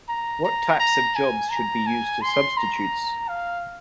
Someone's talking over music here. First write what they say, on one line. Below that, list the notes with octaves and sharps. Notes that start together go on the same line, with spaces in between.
What types of jobs should be used as substitutes?
A#5
A#5
A#5
G#5
A#5
G#5
C6
A#5
F5